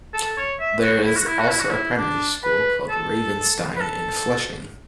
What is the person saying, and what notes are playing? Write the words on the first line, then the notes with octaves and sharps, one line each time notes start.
There is also a primary school called 'Ravenstein', in Flushing.
A4
C#5
E5
F#4
E4
F#4
E4
F#4
E4
F#4
E4
D4
B4
A4
B4
A4